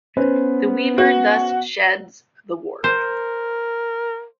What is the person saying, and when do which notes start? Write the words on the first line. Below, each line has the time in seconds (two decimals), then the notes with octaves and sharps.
The weaver thus sheds the warp.
0.17 B3 C#4 B4 C5
0.98 F#4 F#5
2.84 A#4 C5